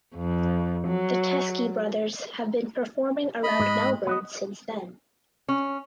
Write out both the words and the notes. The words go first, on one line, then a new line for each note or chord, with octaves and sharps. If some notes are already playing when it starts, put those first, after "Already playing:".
The Teskey Brothers have been performing around Melbourne since then.
F2
F#3
D#5 B5
G#2 G#3
B3 F#4 D#5
C#4